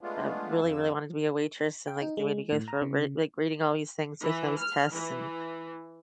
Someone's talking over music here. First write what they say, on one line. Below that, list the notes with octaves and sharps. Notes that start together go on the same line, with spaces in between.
I really, really wanted to be a waitress And, like, they made me go through re like, reading all these things, taking all these tests, and
G#3 A3 B3 D4 F4
F2 C#3 E6
G5
D#4
G#3
A2
A#5
C#3
E3
F6
E3